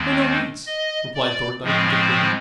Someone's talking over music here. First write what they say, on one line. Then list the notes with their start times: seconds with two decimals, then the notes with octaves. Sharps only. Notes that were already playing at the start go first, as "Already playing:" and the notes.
"By no means," replied Thorndyke, with a grin.
Already playing: D#2 D#3 G#3 C4
0.66 D#5
1.14 D5
1.64 A2 F3 G#3 C4